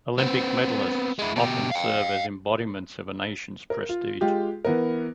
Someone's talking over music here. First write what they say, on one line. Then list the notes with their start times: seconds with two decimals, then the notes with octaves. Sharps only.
Olympic medalists often serve as embodiments of a nation's prestige.
0.18 B3 C4
1.19 G#3 E4
1.36 B2 G4
1.71 F5 G5
3.70 A#4
3.89 F4
4.21 G#3 F4 G4
4.65 E3 B3 A#4